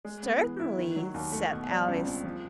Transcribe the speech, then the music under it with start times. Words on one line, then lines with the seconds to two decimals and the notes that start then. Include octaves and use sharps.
'Certainly,' said Alice.
0.05 G#3
0.23 B3
0.41 E3
0.60 E4
0.78 D#3
0.96 F#3
1.14 D#2
1.32 A3
1.51 B2
1.69 G3
1.88 C#2
2.05 C4
2.24 F3